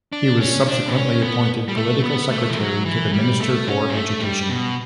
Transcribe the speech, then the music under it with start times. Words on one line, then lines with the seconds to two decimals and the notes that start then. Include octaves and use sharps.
He was subsequently appointed political secretary to the Minister for Education.
0.13 D4
0.40 C#4
0.68 D4
0.88 B3
0.95 C#4
1.22 B3
1.68 G3
1.76 A3
2.04 B3
2.31 A3
2.50 E3
2.58 F#3
2.85 E3
3.13 G3
3.40 A3
3.68 C#4
3.89 G3
3.95 A3
4.22 G3
4.49 B2